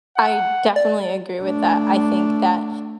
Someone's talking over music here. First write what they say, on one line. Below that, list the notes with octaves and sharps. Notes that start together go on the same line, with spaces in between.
I definitely agree with that, I think that,
F#5
D5
A3 D4